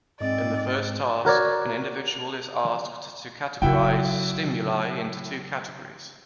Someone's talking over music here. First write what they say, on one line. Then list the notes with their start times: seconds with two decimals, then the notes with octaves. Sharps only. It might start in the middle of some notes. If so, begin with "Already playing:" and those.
In the first task, an individual is asked to categorize stimuli into two categories.
0.20 G#2 C4 D5 D#5
1.25 F#4 A#4 C#5 D5
3.62 C#3 F#3 E4 F#4 G5